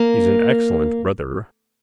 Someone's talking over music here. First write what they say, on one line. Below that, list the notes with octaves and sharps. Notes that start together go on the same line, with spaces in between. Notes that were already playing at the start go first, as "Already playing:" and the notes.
He's an excellent brother.
Already playing: A#3